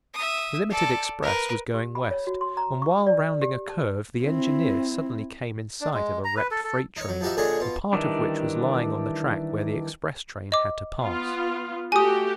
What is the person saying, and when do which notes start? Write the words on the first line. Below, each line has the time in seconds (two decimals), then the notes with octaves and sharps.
The limited express was going west, and while rounding a curve the engineer suddenly came in sight of a wrecked freight train, a part of which was lying on the track where the express train had to pass.
0.14 E5 D#6
0.70 A4 D5
1.22 A#4 B4
1.74 G4
1.95 B5
2.11 C#5
2.27 F#4
2.41 C6
2.57 A#5
2.82 C#6
3.07 D5
3.41 G4
3.69 A5
4.23 C4 E4
5.81 D4
5.94 G#3
6.24 A#5
6.37 B4
6.51 A4
6.64 A4
6.96 D#4 C#5
7.09 F#3
7.21 F3 D#4 F#4 G4 E5
7.37 A#2 D3 D4 G#4 C#5 D#5
7.60 B2 F4
7.93 D#3 E3 G3 D4
10.52 D#5 D6
10.99 B3 F4
11.92 A3 F#4 G4 G#5 D#6